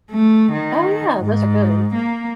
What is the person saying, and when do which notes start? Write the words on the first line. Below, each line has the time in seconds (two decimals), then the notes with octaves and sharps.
Oh, yeah. Those are good.
0.11 A3
0.52 D#3
1.21 G#2
1.95 A#3